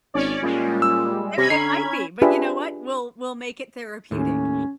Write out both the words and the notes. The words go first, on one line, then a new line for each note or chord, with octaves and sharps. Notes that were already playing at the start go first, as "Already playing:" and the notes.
It it might be, but you know what, we'll we'll make it therapeutic,
G#1 C#4 C#5 D5
A#2 G3 G#3 C#4
E6
C3 C#4 B5 G#6 A#6
D3 A#5 C7
D4 F4 G4 G#4 B4 E5
D#2 A2 C#4